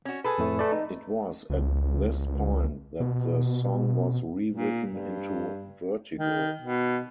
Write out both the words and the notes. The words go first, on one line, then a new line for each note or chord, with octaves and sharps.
It was at this point that the song was rewritten into Vertigo.
C#4 F#4
G#4 A4 B4
F2 A2 A3
A3 D5
D#4
C#2
B2
A#2
G2
D#3
B2